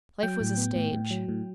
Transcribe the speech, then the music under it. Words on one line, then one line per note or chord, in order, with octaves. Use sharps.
Life was a stage.
F#3 G5
A2
B3
A2
A2
F#3
A2